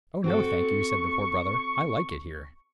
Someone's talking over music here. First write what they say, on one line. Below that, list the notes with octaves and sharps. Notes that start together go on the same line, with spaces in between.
"Oh no, thank you," said the Poor Brother, "I like it here."
C4 F#4 A4 C#6